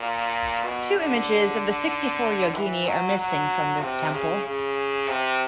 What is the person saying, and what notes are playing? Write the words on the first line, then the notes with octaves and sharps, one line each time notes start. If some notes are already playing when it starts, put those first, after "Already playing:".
Two images of the Sixty-four Yogini are missing from this temple.
Already playing: A#2
B2
D3
E3
F#3
F#3
C3
C#3
C#3
C3